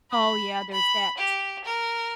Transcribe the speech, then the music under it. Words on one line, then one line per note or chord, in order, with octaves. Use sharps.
Oh, yeah, there's that t
B5
B5
G4
A#4